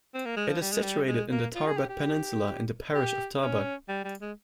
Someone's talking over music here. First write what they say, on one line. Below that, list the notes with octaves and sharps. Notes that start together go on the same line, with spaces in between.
It is situated in the Tarbat Peninsula in the parish of Tarbat.
C4
A#3
G#3
F3
G3
G#3
G3
G#3
A#3
F4
G#4
G4
G4
G4
C#4
G3
G3
G#3